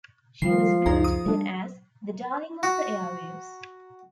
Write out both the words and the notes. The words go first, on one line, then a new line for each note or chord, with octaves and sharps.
She was billed then as "The Darling of the Airwaves".
D#3 F3 G3 C7
C#2 F#2 D#4 G#4 A#5
D#6
G3 D4
F#4